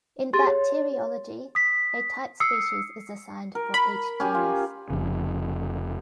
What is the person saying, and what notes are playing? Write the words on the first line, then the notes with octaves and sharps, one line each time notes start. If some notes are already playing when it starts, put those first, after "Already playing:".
In bacteriology, a type species is assigned for each genus.
G4 G#4 C6 A6
C#5
D#6 B6
D#6 E6 C7 C#7
A#4
B5
C#4 G4 G#5
F4
F1 F2 C#3